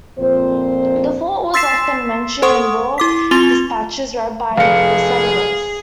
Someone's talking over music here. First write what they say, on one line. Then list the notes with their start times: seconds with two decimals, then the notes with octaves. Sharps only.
The fort was often mentioned in war dispatches read by the settlers.
0.19 F2 A#2 C4 C5
1.54 C6 E6 A6 B6 C7 E7
2.42 A4 C5 F#5 C6 C#6 D#6
2.98 E4 D6 B6
3.31 C4 F4 C6 A6 F7 G7
4.58 F1 G#4 F5 C#7